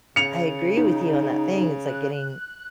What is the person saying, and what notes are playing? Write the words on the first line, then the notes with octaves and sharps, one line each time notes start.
I agree with you on that thing, it's like getting,
C#3 C#7 F7
D#4
F#6